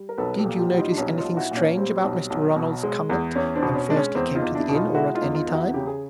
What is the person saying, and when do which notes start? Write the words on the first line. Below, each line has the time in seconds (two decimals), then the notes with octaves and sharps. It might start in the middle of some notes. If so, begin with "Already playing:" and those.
"Did you notice anything strange about Mr. Ronald's conduct when first he came to the inn or at any time?"
Already playing: G3
0.09 A#4
0.18 B1 A4 B4
0.39 G4 A4
0.45 A#2
0.58 F4 G4
0.70 G3 F#4
0.78 D#4 F4
0.92 D4
0.97 B1 C#4 D#4
1.18 D#4 F4
1.24 B1
1.37 E4 F#4
1.51 A#2
1.57 C#4
1.77 G3 C4
2.04 B1
2.30 B1
2.56 B2
2.83 G#3
3.10 E2
3.36 E2 C#4
3.55 C4 D4
3.62 B2
3.75 C#4
3.89 G#3 D4
3.96 C#4
4.15 E2 C4
4.35 D#4 F4
4.42 E2
4.55 D4 E4
4.69 B2
4.75 D#4 F4
4.94 G#3 E4 F#4
5.14 D#4 F4
5.21 E2
5.34 D#4 F4
5.48 E2
5.54 E4 F#4
5.74 C#3 G4
5.87 G#4